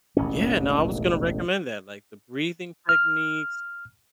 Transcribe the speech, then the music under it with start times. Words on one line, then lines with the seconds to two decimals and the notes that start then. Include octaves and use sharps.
Yeah no, I was gonna recommend that, like, the breathing techniques
0.17 E1 A1 D#2 C#4
2.89 F6